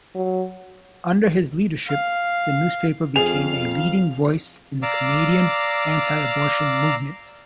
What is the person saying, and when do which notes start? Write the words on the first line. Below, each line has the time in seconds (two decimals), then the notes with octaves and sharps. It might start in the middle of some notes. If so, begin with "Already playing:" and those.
Under his leadership, the newspaper became a leading voice in the Canadian anti-abortion movement.
0.15 F#3
1.87 F5
3.16 F2 G#4 F5 F6 F7
4.83 D5 F5 A#5 D6 E6